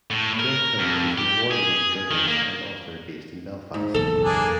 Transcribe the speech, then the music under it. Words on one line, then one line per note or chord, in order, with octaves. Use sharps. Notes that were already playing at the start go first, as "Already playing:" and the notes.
Geoff Hill is an award-winning journalist and author based in Belfast.
A2
A#4
F2
G4
G#4
D#3
A#3
G#2
F#1 B1 E2 A4
A#3 D4 G#4